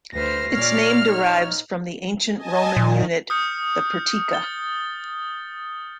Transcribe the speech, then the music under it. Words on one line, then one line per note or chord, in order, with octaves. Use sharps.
Its name derives from the Ancient Roman unit, the "pertica".
D2 B4 C5 F6 A#6 C7
A#2 C#5 D5 F6
D#4 C#5
D#5 G#5 A5
A#2 D#3
D#6 F6 G6 C#7
A6 G7